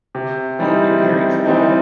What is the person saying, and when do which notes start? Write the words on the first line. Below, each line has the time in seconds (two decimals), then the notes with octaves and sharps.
Eh, you're hearing it from all
0.15 C3
0.59 E3 G3 C4 D#4
1.02 C3
1.46 E3 G3 C4 D#4